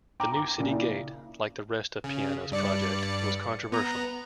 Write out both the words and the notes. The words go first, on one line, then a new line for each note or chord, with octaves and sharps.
The new city gate, like the rest of Piano's project, was controversial.
G5 A#5 D6
A#5 D6
A#2 C#3
E4
C#3
G2 D5 C#7
B3 A#5